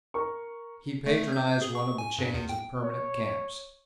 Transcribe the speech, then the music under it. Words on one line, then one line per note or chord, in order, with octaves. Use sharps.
He patronized one of the chains of permanent camps.
A#4 C#6
A3
G6
G6
G#4
C#6
G#5
G2
E2
G5
C#5